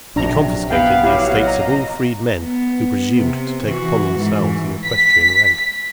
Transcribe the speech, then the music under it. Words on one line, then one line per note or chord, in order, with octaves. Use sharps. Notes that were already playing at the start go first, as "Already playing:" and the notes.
He confiscated the estates of all freedmen who presumed to take upon themselves the equestrian rank.
A#1 C3 F#3 D4 A#5
B3 F5 G5
F#3 E4 G4
D#5 A#5
B3
C3
E3 F#4
G#2 E3
B6